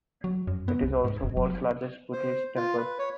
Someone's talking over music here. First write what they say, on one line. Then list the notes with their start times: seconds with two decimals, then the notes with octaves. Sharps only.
It is also the world's largest Buddhist temple.
0.24 F#3
0.47 F#2
0.68 B3
0.83 C2
1.05 G#2
1.23 F#1
1.37 F#3
2.13 C5
2.56 F4
2.77 B4
2.99 C#5